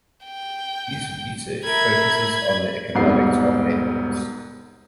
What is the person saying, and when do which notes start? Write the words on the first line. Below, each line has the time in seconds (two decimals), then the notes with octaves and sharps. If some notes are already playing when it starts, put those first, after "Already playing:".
His research focuses on the economics of networks.
0.25 G5
1.65 A#4 E5 B5 G#6
2.95 E1 G#2 C3 G3 B3 C7